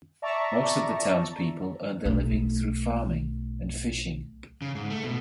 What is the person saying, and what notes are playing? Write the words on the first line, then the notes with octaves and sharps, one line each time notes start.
Most of the town's people earned their living through farming and fishing.
D5 E5 A5 A#5 C#6
B1 A3
C#3
G#2
A3
B2